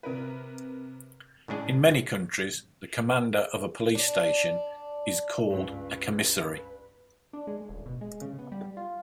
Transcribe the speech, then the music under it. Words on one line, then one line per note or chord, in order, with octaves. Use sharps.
In many countries, the commander of a police station is called a commissary.
C3 A#4 B4
A2 C#3 G#3 D4 G#4
D4
C#2 G2 B4
D4
G#3
D#1
B2
G#3
C#3
B3
G3
F4